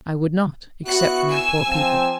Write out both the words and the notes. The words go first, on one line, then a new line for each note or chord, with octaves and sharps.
"I would not--except for my poor people."
B3 E4 F#4 F#6 C#7
G#5 E6
F3 C4